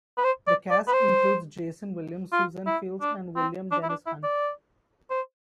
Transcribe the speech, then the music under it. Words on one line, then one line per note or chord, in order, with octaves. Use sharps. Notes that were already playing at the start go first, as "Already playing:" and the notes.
The cast includes Jason Williams, Suzanne Fields and William Dennis Hunt.
B4
C5
D5
D5
B4
C5
F4
E4
D4
C4
D4
E4
D4
E4
D5
C5